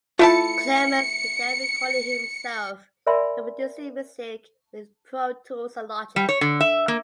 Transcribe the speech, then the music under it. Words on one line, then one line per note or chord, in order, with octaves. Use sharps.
Clemons began recording himself and producing music with Pro Tools and Logic.
A3 E4 F4 A5 C#7
A#4 D5 E5 G#5 B5 C6
G3
C#5
D3
E5
A#3